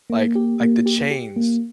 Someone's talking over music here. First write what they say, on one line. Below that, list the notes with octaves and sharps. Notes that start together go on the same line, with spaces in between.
like like the chains.
A#3
G4
A#3
G4
G4
A#3